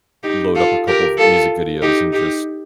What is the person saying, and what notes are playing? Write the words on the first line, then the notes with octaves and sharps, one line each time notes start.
load up a couple of music videos and just
D#4 G4
F4 A4
G4 A#4
F4 A4
D#4 G4
D#4 G4